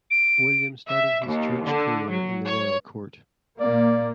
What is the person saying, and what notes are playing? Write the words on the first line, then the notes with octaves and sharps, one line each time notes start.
William started his Church career in the royal court.
D7
E5
D#2
D3
F#3
C#5
A#2 A#3 D5